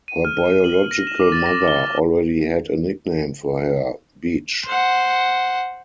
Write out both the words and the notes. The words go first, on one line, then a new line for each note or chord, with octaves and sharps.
Her biological mother already had a nickname for her, beach.
D#7
F6
D#7
F#7
A#6
E7
D6
A6
A#6
G7
C5 F#5